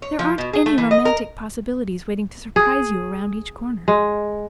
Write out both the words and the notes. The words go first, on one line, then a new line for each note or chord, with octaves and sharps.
There aren't any romantic possibilities waiting to surprise you around each corner.
C#5
F3
B2
G#4
A3
E3
D#5
A#4
G#4
G#3